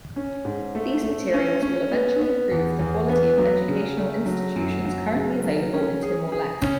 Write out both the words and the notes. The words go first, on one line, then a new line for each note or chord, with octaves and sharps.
These materials will eventually improve the quality of educational institutions currently available in Timor-Leste.
C#4
G#2
A3
A3
C#4
C#4
B3
B3
E2
E2
B3
F#3
C#3
A3
F#3
F#2
F#3
C#3
F#3
C#4
G#4
G#4
C#4